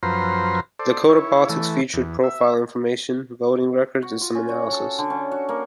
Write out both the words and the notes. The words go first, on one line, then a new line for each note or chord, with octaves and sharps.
DakotaPolitics featured profile information, voting records and some analysis.
F#2 F3 B4 C5 A#5 C6
A4 C5 D5
E4 C#5
E3 A3
E2
E5
F#4
F4
C#4
F#4
A4
D3
C#4
F#4
A#3